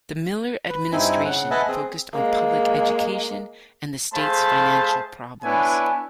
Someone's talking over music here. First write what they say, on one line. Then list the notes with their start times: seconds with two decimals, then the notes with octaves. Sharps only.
The Miller administration focused on public education and the state's financial problems.
0.70 B4
0.92 G2 C4 D#4 E4 G#5
1.25 C#3 F#5
1.51 B4 D#5 E5 F#5 G#5 A5
1.68 C4 G#4
2.13 G#3 A#3
4.14 A3 G#4 C5 F5 A5 B5
5.43 B3 D4 E4 C#5 G#5